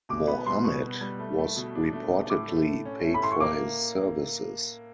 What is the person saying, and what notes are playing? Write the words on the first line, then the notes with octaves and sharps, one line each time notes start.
Mohammed was reportedly paid for his services.
B2 D6
B3 B5
G3 C6
B2 C#6
B2
G3
A3
A3
B2
D4
A3
A3
A2 D6
A3
A3
C#4
A3
B5
A2 C6
C#6
A#3 D6